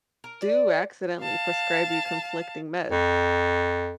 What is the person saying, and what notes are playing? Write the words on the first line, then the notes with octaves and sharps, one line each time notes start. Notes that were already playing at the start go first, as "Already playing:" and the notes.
do accidentally prescribe you conflicting meds.
A#4
D5
F5 A5
F2